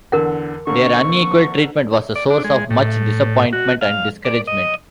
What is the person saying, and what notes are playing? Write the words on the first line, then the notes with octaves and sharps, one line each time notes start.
Their unequal treatment was a source of much disappointment and discouragement.
E2 D3 A#4 F#5
D3 A#3 C4 C#6
D5
D4
G#3
A2
F#4
F5
D5
D#5